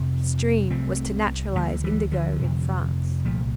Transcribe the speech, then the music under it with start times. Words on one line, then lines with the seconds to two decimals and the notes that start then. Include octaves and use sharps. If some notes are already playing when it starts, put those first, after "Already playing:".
His dream was to naturalize indigo in France.
Already playing: F2 C3
0.70 C2 C3 A3 C4
1.55 D2 D3 G3 A#3
1.84 E3 G3
2.12 D3 F3
2.40 F2 C3
3.25 C2 A#2 F3 A3